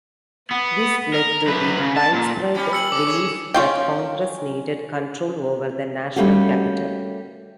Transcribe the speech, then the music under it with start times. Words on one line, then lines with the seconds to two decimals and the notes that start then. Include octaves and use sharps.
This led to the widespread belief that Congress needed control over the national capital.
0.51 B3
1.14 A#4
1.47 F#2 B4
1.79 C#3
1.97 A5
2.13 A#2
2.54 F3 G3 C#4
2.73 E6 C#7 F#7
2.92 C3 A4 D6
3.07 G#4 C#5
3.54 C#4 F4 G5
6.16 G3 A3 A#3 C#4 F#4